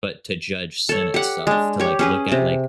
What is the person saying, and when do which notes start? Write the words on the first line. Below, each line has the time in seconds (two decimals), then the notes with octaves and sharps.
but to judge sin itself, to like, look at like
0.89 A4 C#5
1.14 G4 F#5
1.47 G#3 D4
1.80 G4 C#5
1.99 C#4 G#4 B4
2.32 C3